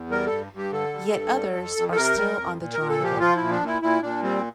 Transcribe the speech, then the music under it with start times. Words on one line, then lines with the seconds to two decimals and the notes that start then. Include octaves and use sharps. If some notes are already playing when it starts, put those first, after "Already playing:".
Yet others are still on the drawing board.
Already playing: E2
0.11 G3 A#4
0.26 A4
0.32 G2
0.53 G2 G4
0.72 D3 A4
0.93 G3
1.14 G2
1.35 G3
1.55 F2
1.76 F2
1.92 A4
1.96 C3 A#4
2.17 G3
2.38 F2
2.59 A#2
2.74 A#4
2.79 A#2
2.89 A4
3.00 F3 G4
3.20 F3 F4
3.36 A#2 E4
3.50 D4
3.61 A#2
3.66 E4
3.82 A#2 E4
4.02 A#2 D4
4.23 G3 C4